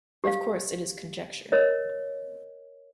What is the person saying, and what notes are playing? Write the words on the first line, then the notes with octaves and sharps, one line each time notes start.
Of course it is conjecture.
G4 F5
A#4 C#5 D#5